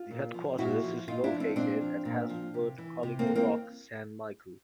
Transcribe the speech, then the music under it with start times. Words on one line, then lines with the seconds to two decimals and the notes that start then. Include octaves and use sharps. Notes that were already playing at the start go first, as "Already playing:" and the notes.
The headquarters is located at Hazelwood, Collymore Rock, Saint Michael.
Already playing: F4
0.11 A#2
0.34 F3
0.58 A#2 E4 F#4
0.84 F3
1.08 A#2 D#4 F4
1.24 D4 E4
1.32 F3
1.40 C4 D4
1.56 A#2 C4 D4
1.81 F3
2.05 A#2
2.30 F3
2.54 C3
2.78 E3
3.03 C3
3.19 A#3 C4
3.27 E3
3.35 A#3 C4